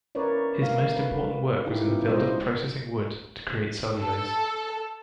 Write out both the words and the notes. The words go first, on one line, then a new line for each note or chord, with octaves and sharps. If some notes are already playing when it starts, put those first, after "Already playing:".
His most important work was in the field of processing wood to create cellulose.
C#4 A#4 B4 C#5 D5
B2 G3 A3 A#4 F5
B4
D#4 E4 G4
B2 B3 C#4 E4 F4 B4
G3 G#3 F4 C5 D#5
A4